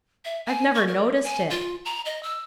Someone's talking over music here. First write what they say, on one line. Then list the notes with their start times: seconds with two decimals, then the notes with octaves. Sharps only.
"I've never noticed it."
0.25 E5
0.46 G#5
0.75 C#6
0.88 A#4
1.24 G#5
1.50 F4
1.85 A#5
2.05 D#5
2.23 E6